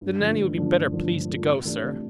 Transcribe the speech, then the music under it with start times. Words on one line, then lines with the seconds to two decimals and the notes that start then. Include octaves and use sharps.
"Then Nanny would be better pleased to go, sir."
0.01 G2
0.19 D3 F3 A3 D4
0.38 G2
0.55 D3 F3 A3 D4
0.74 G2
0.92 D3 F3 A3 D4
1.10 G2
1.28 D3 F3 A3 D4
1.46 C3
1.65 E3 A3 D4 G4
1.83 C3